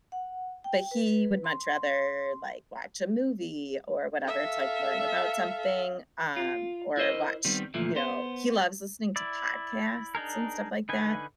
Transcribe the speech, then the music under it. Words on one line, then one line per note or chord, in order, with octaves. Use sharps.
but he would much rather, like, watch a movie, or whatever, to, like, learn about something, um, or watch, you know he loves listening to podcasts and stuff like that.
F#5
G5
B4
C6
A4 E5 F5
F4
E4 A#4 C5 D#5
D#3 G3 B3 C4
D2 A#2 E3 F3 A3
B3 C5
E4 D5
D4 D#4 G#4 A#4
D3 D#4 B4 G#5